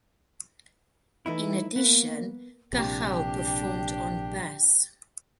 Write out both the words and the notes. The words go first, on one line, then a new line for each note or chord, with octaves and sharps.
In addition, Cachao performed on bass.
E3 A3 D#4 E4
A#3 B3
A#1 C3 D4 G4 G5